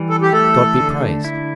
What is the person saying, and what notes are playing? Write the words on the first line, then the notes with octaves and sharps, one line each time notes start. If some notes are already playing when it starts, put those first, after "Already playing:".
God be praised!
Already playing: E3 G3
A4
G4
A3 A4
D3
E4